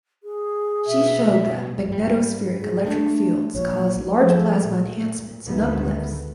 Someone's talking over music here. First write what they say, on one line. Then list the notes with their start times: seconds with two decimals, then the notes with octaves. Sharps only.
She showed that magnetospheric electric fields cause large plasma enhancements and uplifts.
0.23 G#4
0.86 B2 E5
1.88 G#2 G3
2.60 G#4
2.86 A3 D4
3.55 A#1 A#2 C#5
4.14 F3 G#3 A3
4.65 A#2
5.47 D2 A2 D#3 G#3 A3 B3